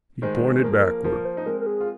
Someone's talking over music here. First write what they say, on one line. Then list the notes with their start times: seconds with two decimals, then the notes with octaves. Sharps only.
He pointed backward.
0.22 D#3 G#3 C5
0.64 F3 A#3 A#4
0.71 G#4
0.80 A#4
1.04 F3 A#3 A#4
1.25 C5
1.37 D#4
1.46 G#3 C4 A#4
1.61 A#4
1.66 G#4
1.81 F4